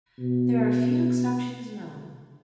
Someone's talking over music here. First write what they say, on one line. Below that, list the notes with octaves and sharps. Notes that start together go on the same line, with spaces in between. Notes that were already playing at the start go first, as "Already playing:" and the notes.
There are a few exceptions known.
B2